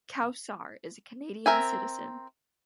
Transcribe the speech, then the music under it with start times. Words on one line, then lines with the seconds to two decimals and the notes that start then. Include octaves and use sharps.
Kowsar is a Canadian Citizen.
1.46 C4 A#4 E5 G#5